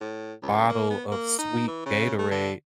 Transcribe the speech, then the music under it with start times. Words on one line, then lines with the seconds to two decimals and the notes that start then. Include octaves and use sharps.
bottle of sweet Gatorade,
0.01 A2
0.42 C#2
0.69 A#3
0.90 B3
1.12 A#3
1.38 D#4
1.68 E3
1.86 C#3
2.19 A3
2.31 D3